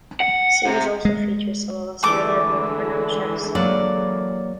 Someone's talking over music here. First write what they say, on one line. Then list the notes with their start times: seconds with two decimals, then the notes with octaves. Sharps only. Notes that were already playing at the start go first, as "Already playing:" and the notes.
The series also features some of Australia's most renowned chefs.
0.20 F#5
0.66 C3
1.05 G#3
2.03 D3 E3 G#3 A3 D6
3.55 F#3 A#3 D5 F#5